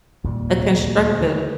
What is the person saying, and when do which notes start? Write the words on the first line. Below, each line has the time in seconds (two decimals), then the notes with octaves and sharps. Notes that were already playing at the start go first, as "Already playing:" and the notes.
A constructive
0.24 G#1 D#2 A#2 G3
0.57 D2 C3
1.22 D#3